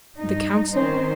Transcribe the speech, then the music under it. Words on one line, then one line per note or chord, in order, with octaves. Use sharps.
The Council?
G2 D#4
D#3 C4 C#4 D#4 C5